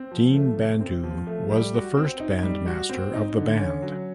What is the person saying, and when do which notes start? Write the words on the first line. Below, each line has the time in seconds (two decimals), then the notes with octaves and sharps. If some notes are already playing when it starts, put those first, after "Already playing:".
Deen Bandhu was the first bandmaster of the band.
Already playing: C4
0.12 F3
0.34 A3
0.58 C3
0.81 C4
1.03 F3
1.27 A3
1.51 G3
1.74 F#4
1.97 C4
2.20 D#4
2.43 G3
2.67 F#4
2.89 C4
3.14 D#4
3.36 D3
3.59 C#4
3.82 F#3